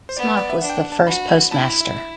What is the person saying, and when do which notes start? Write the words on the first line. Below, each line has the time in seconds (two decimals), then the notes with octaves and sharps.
Smock was the first postmaster.
0.09 C5
0.17 B3 D5
0.37 D5
0.50 E5
0.62 D4 F#5
0.70 G5
0.77 F#5
0.92 A5
1.07 F#4 B5
1.51 E4 A5
1.81 E5
1.96 E5